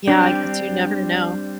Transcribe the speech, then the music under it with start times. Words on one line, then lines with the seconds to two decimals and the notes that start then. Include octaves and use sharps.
Yeah, I guess you never know.
0.07 G3 C4 D4 G4